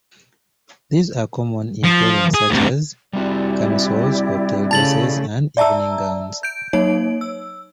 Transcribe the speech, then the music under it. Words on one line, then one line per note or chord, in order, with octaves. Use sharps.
These are common in clothing such as camisoles, cocktail dresses, and evening gowns.
F3
G#4
D2 C3
G3 C4 E4 F#4 G4 D5
C#3 A3 A5 A6 F#7
D5 E5 A5 A#5 E6
G6 D7
F#3 A#3 D#4 C#5 D7
E6